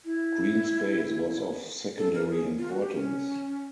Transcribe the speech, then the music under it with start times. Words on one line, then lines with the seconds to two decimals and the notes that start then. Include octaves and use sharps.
Green space was of secondary importance.
0.05 E4
1.98 A4
2.14 A#4
2.30 G#4
2.59 F4
2.70 F#4
2.82 G4
2.95 C#4